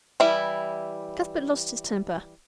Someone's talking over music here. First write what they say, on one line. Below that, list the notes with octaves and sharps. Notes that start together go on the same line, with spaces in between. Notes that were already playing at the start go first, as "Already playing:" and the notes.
Cuthbert lost his temper.
E3 G3 E4